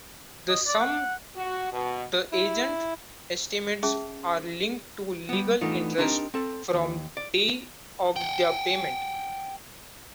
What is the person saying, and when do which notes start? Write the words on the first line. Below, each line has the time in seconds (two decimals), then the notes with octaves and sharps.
The sum the agent estimates are linked to legal interests from the day of their payment.
0.49 D#5
0.67 D5
0.80 F#5
1.37 F#4
1.72 B2
2.32 E4
3.83 C#4 G#4 E5 A5
5.29 G3 B3
5.61 E3 A3 B3 D4 D#4 F4
5.98 C4 D4 D#4 G4 A#4
6.34 C4 A4
6.73 D#2
7.17 D5
8.16 F#5 G5